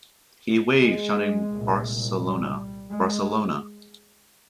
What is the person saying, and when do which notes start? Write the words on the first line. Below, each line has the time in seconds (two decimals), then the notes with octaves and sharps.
He waved, shouting Barcelona, Barcelona!
0.83 G#3
1.53 C2 A#2
2.21 G3
2.91 G#3